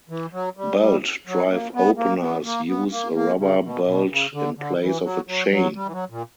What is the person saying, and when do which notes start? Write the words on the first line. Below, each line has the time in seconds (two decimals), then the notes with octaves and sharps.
Belt drive openers use a rubber belt in place of a chain.
0.10 E3
0.33 F#3
0.57 G3
0.80 G3
1.27 F#3
1.51 A#3
1.74 B3
1.97 A#3
2.21 B3
2.45 A#3
2.68 B3
2.92 A#3
3.16 A#3
3.39 C#3
3.63 B2
3.87 B2
4.10 C#3
4.33 D3
4.57 D3
4.81 E3
5.04 F#3
5.27 F#3
5.51 F#3
5.75 G3
5.86 E3
5.92 F#3
6.10 A#2